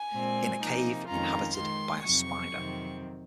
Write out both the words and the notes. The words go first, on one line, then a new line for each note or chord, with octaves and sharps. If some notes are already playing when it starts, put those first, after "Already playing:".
In a cave inhabited by a spider.
Already playing: G#5
A#2 G#3 C4
C3 F3 A#3 D#4
F2 D#3 G#3 C#4 F4 A#5
D#3 G#3 D#4 C6
F2 C3 F#3 C#6
F2 C3 D#3 F#3 C4